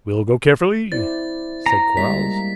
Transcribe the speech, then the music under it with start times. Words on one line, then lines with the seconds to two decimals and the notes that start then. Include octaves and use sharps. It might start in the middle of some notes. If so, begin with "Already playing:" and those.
"We'll go carefully," said Quarles.
0.92 E4 C5 D5 A6
1.66 A#5
1.97 G3 G#3 A#3 B6